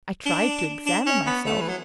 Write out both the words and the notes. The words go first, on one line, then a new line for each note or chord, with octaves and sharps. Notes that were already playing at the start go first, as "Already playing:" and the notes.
I tried to examine myself.
D4
D4
C#4
B3
A3
E3
F#3